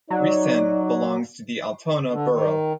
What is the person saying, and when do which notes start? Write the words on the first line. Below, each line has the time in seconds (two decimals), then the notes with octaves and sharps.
Rissen belongs to the Altona borough.
0.10 F#3 D#4 D5
2.11 D3
2.30 D#3